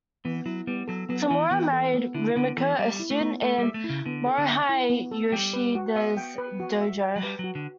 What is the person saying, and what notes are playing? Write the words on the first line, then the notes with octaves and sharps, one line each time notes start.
Tamura married Rumiko, a student in Morihei Ueshiba's dojo.
E3 B3
F#3 E4
G3 B3
F#3 A4
F#3 B3
E3 E4
E3 B3
A4
B3
D3 E4
D3 B3
E3 A4
G3 E5
E4
A3
B3
A3 A4
G3 E5
A3
E4
C#3
D3 B3
A4
D3
E5
E4
B3
A4
G3 G5
B4
F#4
B3 E5
G5
B4
F#4
E5
G5
F#3
G3 B4
F#3 F#4
D3